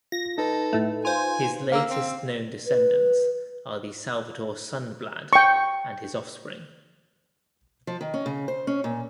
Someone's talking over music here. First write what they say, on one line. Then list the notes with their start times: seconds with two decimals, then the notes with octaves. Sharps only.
His latest known descendants are the Salvador Sundblad and his offspring.
0.12 F4 A#6
0.38 D#4 A4 B4
0.73 A2 A3
1.05 F4 C5 G#5
1.72 A#3 F5 E6
1.90 C4
2.67 B4
5.33 G5 C#6
7.87 F3
8.01 D#3
8.14 C#4
8.26 C#3
8.48 C5
8.67 C#4
8.84 A#2